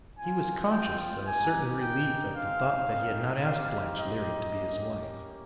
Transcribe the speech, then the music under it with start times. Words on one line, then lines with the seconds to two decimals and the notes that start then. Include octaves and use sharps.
He was conscious of a certain relief at the thought that he had not asked Blanche Leary to be his wife.
0.18 C4 F4 G#5
0.72 G5
1.26 A#3 D#4 G4 G#5
1.80 G5
2.34 G#3 C4 D#4 F5
3.43 C4 D#4 G4 F5
3.98 D#5
4.52 A#3 C#4 G4